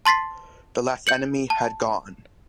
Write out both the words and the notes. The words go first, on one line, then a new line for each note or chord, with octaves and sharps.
The last enemy had gone.
A5 C6 A6 B6 C7
G6 C#7 F#7
A5